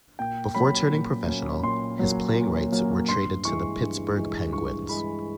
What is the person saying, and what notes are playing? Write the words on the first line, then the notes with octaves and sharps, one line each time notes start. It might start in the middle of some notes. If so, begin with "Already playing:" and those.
Before turning professional, his playing rights were traded to the Pittsburgh Penguins.
A#2 G5
F#3 A#3 C#4 B5
A#2
F#3 A#3 C#4
A#2 C6
F#3 A#3 C#4
A#2
F#3 A#3 C#4
G2 C6
E3 G#3 C#6
G2
E3 G#3
G2 C#6
E3 G#3 B5